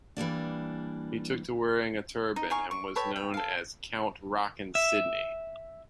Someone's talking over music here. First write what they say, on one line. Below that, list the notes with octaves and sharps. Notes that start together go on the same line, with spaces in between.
He took to wearing a turban and was known as "Count Rockin' Sidney".
E3 G3 A#3 D4
D#4
D#4 F5 G#5 C#6
C#6
A4 B4 C#5 G5
G5
A4 F5
E5